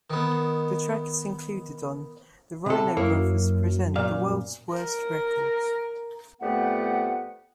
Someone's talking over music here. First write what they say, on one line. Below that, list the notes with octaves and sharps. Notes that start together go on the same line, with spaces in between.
This track is included on "The Rhino Brothers Present the World's Worst Records".
D#3 B3
C3 A4 B5
F#2 A#3 E4 C#5
A#2 F5
A#4
F2 G3 A3 B3 B4 F#5